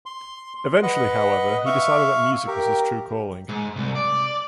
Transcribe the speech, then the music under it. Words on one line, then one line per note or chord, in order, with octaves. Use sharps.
Eventually, however, he decided that music was his true calling.
C6
B4 D#5 F#5
E5 F5 C#6
G4 A#4
G#2
C2
D5